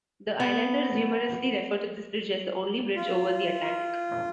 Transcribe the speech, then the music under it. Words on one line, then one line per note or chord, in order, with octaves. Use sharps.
The islanders humorously refer to this bridge as the only bridge over the Atlantic.
B3
F4